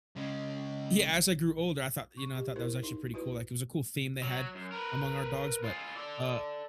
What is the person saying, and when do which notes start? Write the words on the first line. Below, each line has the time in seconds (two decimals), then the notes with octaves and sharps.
Yeah, as I grew older, I thought, you know, I thought that was actually pretty cool, like, it was a cool theme they had among our dogs, but, uh
0.16 C#3 G#3
2.17 C#6
2.36 G4
2.56 E4 A#4 C5
2.83 D#4
3.14 E4 F#4 B4
4.23 F#3
4.55 F#2
4.72 A#4 B4
5.64 F4 G#4
5.96 A4 D5